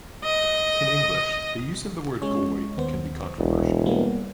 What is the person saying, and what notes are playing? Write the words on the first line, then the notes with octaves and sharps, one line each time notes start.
In English, the use of the word "goy" can be controversial.
D#5
G#3 C#4 C#5
D#2 B3 C5
E1 C2
G3 A#3 B3